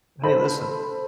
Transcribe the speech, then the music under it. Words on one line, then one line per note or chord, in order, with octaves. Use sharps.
Hey listen
A4 C5 B5